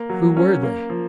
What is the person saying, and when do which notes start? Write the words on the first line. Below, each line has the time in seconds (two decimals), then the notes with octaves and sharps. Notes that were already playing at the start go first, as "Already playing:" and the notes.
Who were they?
Already playing: A#3
0.09 F#3
0.37 C#4
0.63 A#3
0.90 F3